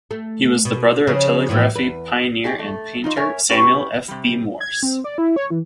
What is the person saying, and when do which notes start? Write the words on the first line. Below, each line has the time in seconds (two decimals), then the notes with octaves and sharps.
He was the brother of telegraphy pioneer and painter Samuel F. B. Morse.
0.11 A3
0.65 B2
1.07 C#3 F3
1.49 A2 E3 F3
1.76 E2 B4
2.44 G4 G#4 D#5 G5
2.59 A3
3.04 D#4 F4 D5 D#5
3.16 A#4 C#5 E5 G#5
3.49 C#4 E4 F#4 G4 B4
4.08 C3 G3
4.60 G#6
4.83 C4
5.04 D5
5.18 E4
5.36 C#5
5.50 E3